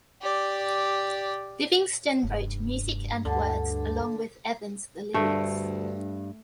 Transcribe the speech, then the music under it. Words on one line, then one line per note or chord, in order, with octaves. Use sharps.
Livingston wrote music and words along with Evans the lyrics.
G4 D5
F1 G2
D2 D3
D2 G2 A3